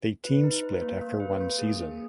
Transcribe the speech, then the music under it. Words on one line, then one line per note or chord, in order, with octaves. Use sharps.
They team split after one season.
B4
D#4
B4
A#3
A#3
B4
A#3
G#4
G#4